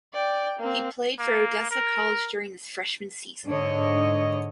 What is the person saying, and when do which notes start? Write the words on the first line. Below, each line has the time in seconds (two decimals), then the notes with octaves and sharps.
He played for Odessa College during his freshman season.
0.13 D5 G5
0.59 A#3 C4
1.19 A#3
1.71 A#4
3.47 G#2 D3 D4 C#5 D#5